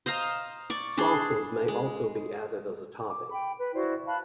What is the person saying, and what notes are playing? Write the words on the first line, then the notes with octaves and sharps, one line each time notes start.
Salsas may also be added as a topping.
C5 D#5 F5 A#5
D5 C#6
D4 G#4 C6
G#3
D6
G5 B5
B4
E4 F#4 C5 D5
F5 A5 B5 F#6